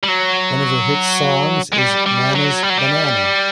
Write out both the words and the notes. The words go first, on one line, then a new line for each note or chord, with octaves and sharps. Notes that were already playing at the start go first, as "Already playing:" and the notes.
One of her hit songs is Nanas Banana.
G3
F#3
G#3
G3
G3
F#3
G3
F#3
G3